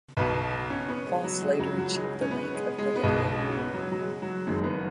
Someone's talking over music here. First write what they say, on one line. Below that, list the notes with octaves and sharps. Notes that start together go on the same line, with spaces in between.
Foss later achieved the rank of brigadier.
B1 B2 B4
C#4
B3
G#3
F#3
G#3
C#2 C#3 F#3
F#3
G#3
C#4
B3
G#3
G#3
B3
B1 B2 G#3
C#4
C#4
B3
F#3
F#3
G#3
F#3
F#1 F#2 D#3 G#3
B3